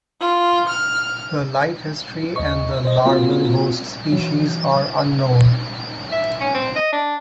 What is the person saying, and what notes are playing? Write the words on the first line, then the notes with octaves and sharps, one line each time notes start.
The life history and the larval host species are unknown.
F4
F6
D#2 D#5 C#6
C5 D#5
A#3 C4 F4 F#4
E3 F#3
E5
C#4
C4
D#5
D4